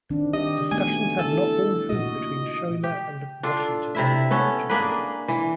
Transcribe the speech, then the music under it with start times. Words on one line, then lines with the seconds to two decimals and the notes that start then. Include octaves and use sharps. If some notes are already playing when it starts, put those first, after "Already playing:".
Discussions had not borne fruit between Schuyler and Washington by early June.
0.10 D#3 C4 D4
0.33 G4 D#5
0.72 A3 B3 F#4 G#5
1.19 D4 E4 A4
1.89 A#2 F#4 D#5
2.84 G4
3.43 D4 F4 A4
3.95 C3 E4 E5
4.31 B3 C#4 A4
4.70 A#3 D4 G#4 B4
5.28 E3